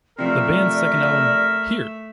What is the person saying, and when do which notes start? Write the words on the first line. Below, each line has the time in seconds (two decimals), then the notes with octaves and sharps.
The band's second album, Hear!
0.19 C3 F3 A3 A#4 D5 E5